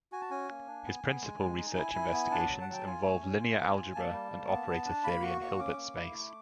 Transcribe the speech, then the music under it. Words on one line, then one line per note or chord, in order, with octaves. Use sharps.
His principal research investigations involve linear algebra and operator theory in Hilbert space.
F#4 G#5
A5
C#4 G#5
A#3
D4
B3
B3
G#3
G#3
D#4
E4
E4
B3
D4 A5
F#3
F#5
F#3 G5
F4 G#5
A3
C#4
F4
C4
F4
A#3 A5
G3
A#3
B3
B3
D4
A#3 B5
F#4 C#6
A#3 C#6
C#4 D6
A#3
E4
A3